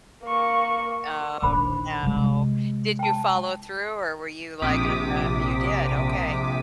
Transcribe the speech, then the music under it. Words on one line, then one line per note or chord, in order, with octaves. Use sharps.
Oh no. Did you follow through or were you like, "I'm, uh" oh, you did? Okay.
A#3 C#6
A#1 D#3 C5 B5 D6
C3 G#3
G5 A5
A#1 C3 D6 D#6 B6